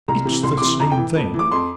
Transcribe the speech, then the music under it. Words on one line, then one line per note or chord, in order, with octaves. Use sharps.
"It's the same thing."
C2 A#5
C3 E3
C2 C6
D6
C3 E3 C6
F2 A#5
G5
E3
F2
E3
D6
F2 C6